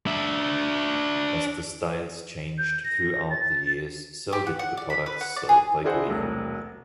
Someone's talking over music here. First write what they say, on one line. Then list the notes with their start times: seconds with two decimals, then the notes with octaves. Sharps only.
As the styles changed throughout the years, so did the products sold by Goody.
0.07 D4 E5
2.58 G6
2.84 A#6
3.30 A6
4.33 G4
4.47 F#5
4.59 F#5
4.77 D5
4.90 B5
5.06 B4
5.21 F#5
5.36 D5
5.49 G#4
5.84 D4 E4 F#4 G#4 C5 F#5
6.07 E1 C2 F#3 A3